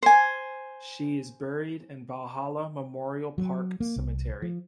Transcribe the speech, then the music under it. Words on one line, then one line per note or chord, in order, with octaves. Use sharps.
She is buried in Valhalla Memorial Park Cemetery.
C5 G#5
F#3
A#3
C2
F3